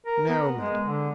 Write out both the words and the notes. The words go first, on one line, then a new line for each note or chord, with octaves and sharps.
"No, madam."
A#4
B3
G#3
D3